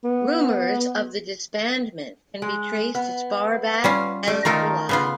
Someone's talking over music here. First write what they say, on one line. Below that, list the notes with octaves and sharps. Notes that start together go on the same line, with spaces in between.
Rumors of the disbandment can be traced as far back as July.
B3
G#3
B3
G3 C#4 F4
G3 A3
D#3 A3 F4 A4 A#4 A#5
C#3 B3 F4